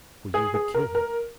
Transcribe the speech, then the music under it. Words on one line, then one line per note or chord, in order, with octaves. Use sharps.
"For ye would kill him."
G#4
G#4
A#4
A#4